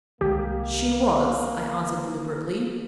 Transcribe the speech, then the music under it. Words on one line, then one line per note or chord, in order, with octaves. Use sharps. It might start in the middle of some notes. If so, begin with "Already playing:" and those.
'She was,' I answered, deliberately.
C2 D#3 G#3 A#3 G4